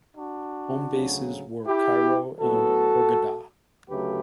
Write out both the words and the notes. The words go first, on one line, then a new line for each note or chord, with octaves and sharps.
Homebases were Cairo and Hurghada.
D4 F#4
D2 C#3 F#3
E4 G4
A2 F#3 B3 F#4 A4
D2 C#3 F#3 A3 G4 B4